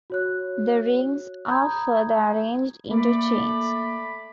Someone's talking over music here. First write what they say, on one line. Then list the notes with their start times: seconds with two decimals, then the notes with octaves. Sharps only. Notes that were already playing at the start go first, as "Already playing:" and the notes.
The rings are further arranged into chains.
0.10 F#4 C#5 F#6
1.49 A#5 B5 D#6 G6 G#6
2.91 A3 A#3 D5 B5